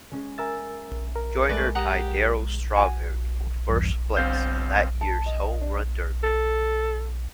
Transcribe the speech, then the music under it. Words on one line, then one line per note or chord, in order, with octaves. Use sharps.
Joyner tied Darryl Strawberry for first place in that year's Home Run Derby.
G#3 C#4 G#4
A#4 E5 G#5 A#5 E6 A6
A#4
G#3 A3 B4 D5 C#6
G4 F#5 A#5 D#6
F#4 G#5
E2 G2
G1 C4 F5 G6
A5
D#5
D4
A4